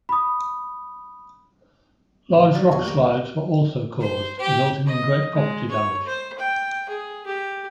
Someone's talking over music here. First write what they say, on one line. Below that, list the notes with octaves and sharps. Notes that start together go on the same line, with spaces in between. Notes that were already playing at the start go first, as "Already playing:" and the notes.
Large rockslides were also caused, resulting in great property damage.
B5 D#6
A2 D3 E3 B5
F#3 D5 A6
E2 B2 G#4 C#6
D2 G3 G#3 A#3 G4 A#4
C5
G4
D#5
G#3
C#5
C5
G5
G#4
G4